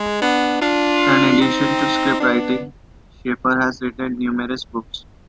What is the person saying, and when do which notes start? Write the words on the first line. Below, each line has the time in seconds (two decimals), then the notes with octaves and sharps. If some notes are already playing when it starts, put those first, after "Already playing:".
In addition to scriptwriting, Shaffer has written numerous books.
Already playing: G#3
0.21 B3 D4
0.61 D4 F4
1.41 C4 D#4
2.21 B3 D4